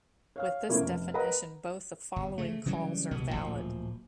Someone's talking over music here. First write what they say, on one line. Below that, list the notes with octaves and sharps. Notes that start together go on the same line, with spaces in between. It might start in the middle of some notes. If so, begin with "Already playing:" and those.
With this definition, both the following calls are valid.
C#5 F5 F6
B2 F3 A3 A#3 C#4 E4
F1
A#4 B4 D#5 F#5 A#5 B5
G1
C#3 A3
C#3 E3 F#3 G3
C2 B2 B3
D1 B1 A#2 F3